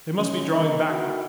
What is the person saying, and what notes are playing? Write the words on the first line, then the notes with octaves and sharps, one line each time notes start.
They must be drawing back.
C#3 C#4
D3 A#3 D#4
D3 D#3 E4 F#4